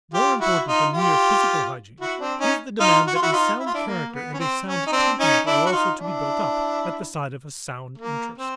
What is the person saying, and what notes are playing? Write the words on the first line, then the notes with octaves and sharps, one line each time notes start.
More important than mere physical hygiene is the demand that a sound character and a sound temperament are also to be built up, at the side of a sound interest.
F4 G4
E4 F#4
D#4 F4
F4 G4
E4 F#4
C4 D4
C#4 D#4
D#4 F4
F#4
F4
E4 F#4
D#4 F4
E4
F4
D4 E4
A#3
B3
C#4
C4
C#4
D#4
C4 D4
C#4 D#4
D4 E4
F#4
D#4 F4
D4 E4
A#3
C4